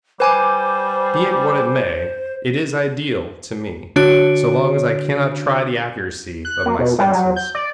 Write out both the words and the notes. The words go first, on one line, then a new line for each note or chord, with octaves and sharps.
Be it what it may, it is ideal to me, so long as I cannot try the accuracy of my senses.
G3 B4 C5 G#5 D6
D3 D4 F#4 C#5 D7
F#6
A#3
B2
G3
F#3
G6
D5